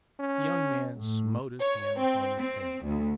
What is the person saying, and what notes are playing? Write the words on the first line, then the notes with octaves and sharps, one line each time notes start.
The young man smote his hand upon his head.
C#4
A2
C#5
C4
C4
D2